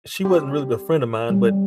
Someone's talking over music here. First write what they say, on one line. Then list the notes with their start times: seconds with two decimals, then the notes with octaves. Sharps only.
She wasn't really a friend of mine, but
0.25 G4
1.30 G3